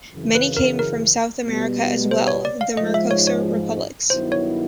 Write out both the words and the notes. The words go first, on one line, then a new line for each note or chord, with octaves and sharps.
Many came from South America as well-the Mercosur Republics.
F#2 C#3 E3
B4
A#4
A#4
B2 G3 B3
C5
C#5
D5
F5
G#2 F3 G#3 D#5
E5
C#5
C#5
G2 D#3 F#3 B3 E4 C5
C#5